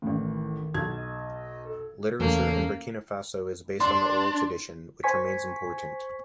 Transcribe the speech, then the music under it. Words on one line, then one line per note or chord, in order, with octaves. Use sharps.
Literature in Burkina Faso is based on the oral tradition, which remains important.
A1 A2 D#3
B1 G#6
D#5
A4
E2 C#3 A3 A#3 C#4
D4 C6
C5 G#5 C#6 B6